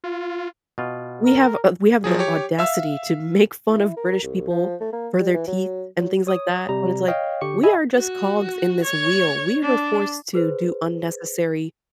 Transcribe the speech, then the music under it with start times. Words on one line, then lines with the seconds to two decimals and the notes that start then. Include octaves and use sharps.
we have a we have the audacity to make fun of British people for their teeth and things like that, when it's like, we are just cogs in this wheel, we were forced to do unnecessary
0.04 F4
0.78 B2 F4
1.24 A#4
2.04 F3 F#3 G#4
2.19 G4 C#5
2.59 E5 F5 E6
3.68 E4
3.97 A#4
4.23 C2
4.49 F3
4.81 A3
4.93 A#3
5.19 G3
5.34 E3
5.47 F#3
5.99 F#3
6.27 C#5 D#6
6.69 C3 G3 A#5
7.08 C#5 D#5 F5 G5
7.41 D3 G4 C#6 C#7
7.63 D#5 E5 G#5 B5
7.96 F#4
8.84 C#5
9.62 D4
10.34 G#4 B4 C5